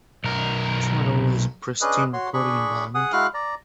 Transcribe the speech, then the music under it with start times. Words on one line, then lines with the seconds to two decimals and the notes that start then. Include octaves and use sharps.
It's not always a pristine recording environment.
0.24 B1 A#4
1.81 C#4 D4 G#4 B4 D#5 F#6
2.13 F#4 C#5 C6
2.34 D4 G#4 B5 C#6
2.95 G#4 F#5 D#6
3.12 G#3 E4 F#4 F5 F6 F#6
3.34 D5 A#5